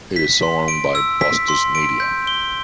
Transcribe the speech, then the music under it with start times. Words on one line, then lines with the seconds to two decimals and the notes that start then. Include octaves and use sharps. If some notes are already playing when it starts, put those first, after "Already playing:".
It is owned by Bustos Media.
0.16 B6
0.43 C6
0.68 D7
0.95 E6
1.21 B6
1.48 C6
1.75 D7
2.00 G6
2.27 G7